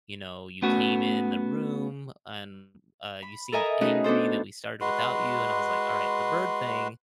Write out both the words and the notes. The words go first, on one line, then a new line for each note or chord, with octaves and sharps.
you know, you came in the room and, uh, you seemed angry that we started without you," and I was, like, "Alright, the bird thing,
A3 B3 C#4 F#4
B5
A4 A#4 D#5 E5 G#5 A#5
A3 C#4 D#4 F#4 G#4 B4
B3 D4 A4 C5
G#3 F#4 B4 C6